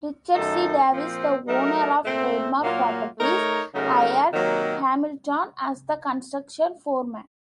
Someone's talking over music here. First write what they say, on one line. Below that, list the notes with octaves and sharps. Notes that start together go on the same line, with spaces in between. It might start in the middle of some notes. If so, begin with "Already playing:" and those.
Richard C. Davis, the owner of Trademark Properties, hired Hamilton as the construction foreman.
F#2 D#3 A3 D#4 A4
A#2 F3 C4
F#3 A3 D#4 A#4
A#2 A3 C4
A#2 F#3 A#3 F4
A3 D#4 A#4 C#5
C#3 F#3 A3 D#4 A#4
C3 D#3 F#3 A#3